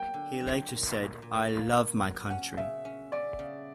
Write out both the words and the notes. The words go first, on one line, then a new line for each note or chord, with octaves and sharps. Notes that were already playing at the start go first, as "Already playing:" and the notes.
He later said, I love my country.
Already playing: F#3 A#3 G5
D3
F#3
A#2
A#2
A#2
A#3
A#2
F#3
C#4 F#5
C#3 E5
C#4
C#4 D5
C#3